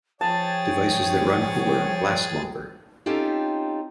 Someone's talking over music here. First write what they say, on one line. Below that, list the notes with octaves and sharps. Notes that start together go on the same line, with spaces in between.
Devices that run cooler last longer.
F3 G#4 C#5 G5 A5 A6
C4 C#4 D#4 F4 G4 A4